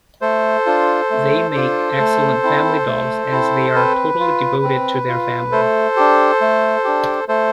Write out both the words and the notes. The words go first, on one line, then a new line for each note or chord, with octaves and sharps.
They make excellent family dogs as they are totally devoted to their family.
A3 A4 C5
D4 F4
A3
D4 F4
A3
C4 E4
A3
C4 E4
C4 B4
F4
C4
F4
A3 A4 C5
D4 G4
A3
D4 G4
A3 A4 C5